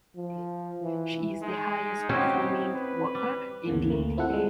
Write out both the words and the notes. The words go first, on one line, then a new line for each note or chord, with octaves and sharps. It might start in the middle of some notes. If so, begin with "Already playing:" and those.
She is the highest performing worker indeed.
F3
E3
G#3 D#4
C4 C#4 E4 F#4 G4
B4
G3
D2 G2 C#3 E3 A#3 B3
D2 A3 A#3
C4 E4 F4 A4 F#5
G3 G#3